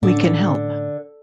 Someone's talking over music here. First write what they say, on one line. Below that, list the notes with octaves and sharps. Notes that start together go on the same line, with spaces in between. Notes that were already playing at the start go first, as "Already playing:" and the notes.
We can help.
A2 D3 C#4